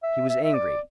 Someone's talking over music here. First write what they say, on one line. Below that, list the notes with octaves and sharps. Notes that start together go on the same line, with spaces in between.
He was angry.
E5
E5
E5
D5